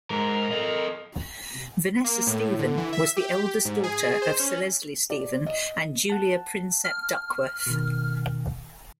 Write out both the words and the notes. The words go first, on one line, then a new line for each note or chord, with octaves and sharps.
Vanessa Stephen was the eldest daughter of Sir Leslie Stephen and Julia Prinsep Duckworth.
G#2 A#4
A4 D#5
A#3
A2
D3
E3
E5
G4
G#2
G#4
C5
C#4
D5
D#5
F#5 A5
F6
B2 D#3